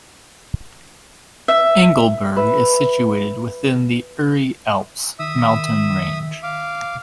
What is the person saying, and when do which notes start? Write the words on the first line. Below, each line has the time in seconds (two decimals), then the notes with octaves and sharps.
Engelberg is situated within the Uri Alps mountain range.
1.48 E5
2.36 B4 E5
5.19 D#3 E5 D#6 E6
6.43 F5 D6